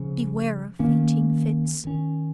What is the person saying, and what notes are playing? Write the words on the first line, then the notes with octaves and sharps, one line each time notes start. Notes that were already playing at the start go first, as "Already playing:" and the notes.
Beware of fainting-fits...
Already playing: C#3 F3 C#4
D#3 A#3 C#4
D#3 C#4